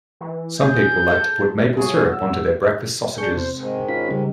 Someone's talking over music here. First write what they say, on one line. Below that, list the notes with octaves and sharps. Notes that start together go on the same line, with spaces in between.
Some people like to put maple syrup onto their breakfast sausages.
E3
G#4 G6
G#4 A4 A5
G2 B2 F#4 G#4 C#5
E6
D4 G#4 C#6 G6
C3 C5
G#2 D#3 G#3
C#4 F4 B5
C#3 G3